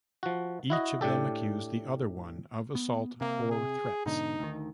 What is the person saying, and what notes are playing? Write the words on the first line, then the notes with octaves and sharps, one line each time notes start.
Each of them accused the other one of assault or threats.
F3 F#4
E4 F#4 D#5
A2 D4 G4 A4
B3
C3 A#3
G#4
G#2 B2 D3 D#4
D2 D#3